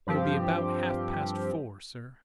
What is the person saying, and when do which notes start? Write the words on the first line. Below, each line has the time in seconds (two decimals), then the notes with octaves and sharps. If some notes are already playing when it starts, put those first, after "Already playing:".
"It'll be about half-past four, sir."
0.07 G2 F3 C4 G4